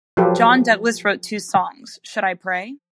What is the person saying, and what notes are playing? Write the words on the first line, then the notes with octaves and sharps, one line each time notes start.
John Douglas wrote two songs, Should I Pray?
F3 F#3 F4 G4 A4 B4